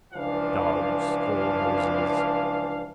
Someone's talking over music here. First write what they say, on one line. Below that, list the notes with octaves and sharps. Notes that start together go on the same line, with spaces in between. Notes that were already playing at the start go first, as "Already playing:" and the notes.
Dogs' cold noses.
C#2 E3 F3 D4 F5